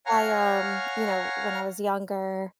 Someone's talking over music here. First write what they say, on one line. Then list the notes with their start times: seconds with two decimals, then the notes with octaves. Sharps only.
I, um you know, when I was younger,
0.06 C#5 F5 F#5 G#5 A#5 F6